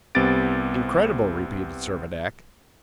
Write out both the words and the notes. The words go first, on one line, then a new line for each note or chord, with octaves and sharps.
"Incredible?" repeated Servadac.
C2 B3 C4 G4 A6 D7